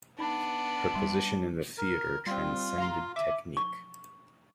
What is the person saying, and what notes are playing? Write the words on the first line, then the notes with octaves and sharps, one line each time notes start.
Her position in the theatre transcended technique...
B3 D4 D#4 B5
G3 C6
A#4
G3 C4 F4
F5 A#5 C6
E5 D6
C#6